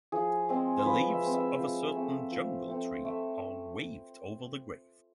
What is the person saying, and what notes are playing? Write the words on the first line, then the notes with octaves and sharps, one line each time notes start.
The leaves of a certain jungle tree are waved over the grave.
F3 G#4
G#3 C4
C5
F3 B4
E5
G#3 C4
E5
F3
A3 C4
F3
A3 C4
A3 E5